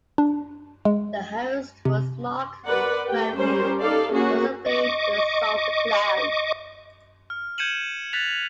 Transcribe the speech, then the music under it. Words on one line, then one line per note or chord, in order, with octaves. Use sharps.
The host was Marc Favreau, who also played Sol the Clown.
D4
G#3
C3
A#4 B4 D5 F#5
A3 G4 G5
G3 C#4 A#4 C5
D#4 A4 D5 F5
A#3 C#4 F#4 G#4
D#5 C#6 D6
F6
G6 G#6 C#7 D#7 E7 F#7
F#6 A6 B6 F7